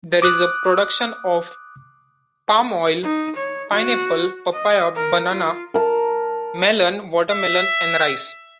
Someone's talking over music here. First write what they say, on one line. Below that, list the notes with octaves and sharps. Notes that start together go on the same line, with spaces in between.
There is a production of palm oil, pineapple, papaya, banana, melon, watermelon and rice.
D6 D#6 F#6
D#4
C#5
F#4
D#5
A#4
F4
A#4 A5
E5